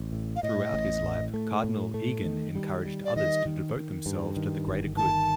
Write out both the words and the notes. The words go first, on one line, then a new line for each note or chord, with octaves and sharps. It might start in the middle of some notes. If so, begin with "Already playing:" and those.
Throughout his life, Cardinal Egan encouraged others to devote themselves to the greater good.
Already playing: A1
A2
F5
A2 D#5
A1
A2
A3
A2
A3
D#3
G3
G3
D5
D#3 D#5
D#3
D#3
G2
D#3
G1
D#3 A5